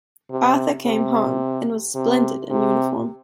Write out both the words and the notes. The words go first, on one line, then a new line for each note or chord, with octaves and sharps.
Arthur came home, and was splendid in uniform.
C3
C3
C3
C3